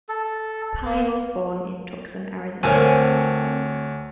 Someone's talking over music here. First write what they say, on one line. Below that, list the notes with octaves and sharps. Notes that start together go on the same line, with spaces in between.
Pine was born in Tucson, Arizona.
A4
A#3
D2 C4 F4 A#4 C#5 G#5 A5 F6